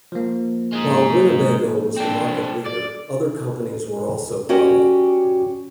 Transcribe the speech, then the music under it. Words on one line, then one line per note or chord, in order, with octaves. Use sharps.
While Winnebago was the market leader, other companies were also growing.
F3 A#3
G#3 D#4
C4 D4
D5
C#4 F#4 G4 D5